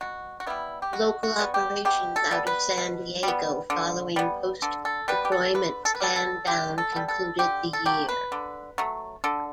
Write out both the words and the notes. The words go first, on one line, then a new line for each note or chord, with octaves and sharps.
Local operations out of San Diego, following post-deployment stand-down, concluded the year.
B2 F#4
F#4
G3 B3 E4
G4
B2 F#4
F#4
G3 B3
G4
B2 G4
A4
G3 B3
B4
B2
G3 B3
D3
G3 B3
D3 A4
A4
G3 B3 B4
G4
A4
D3 B4
A4
B4
G3 B3 A4
A4
D3 G4
A4
G3 B3
A4
D3 G4
A4
F#3 A3 G4
B4
D3
F#3 A3
D3 A4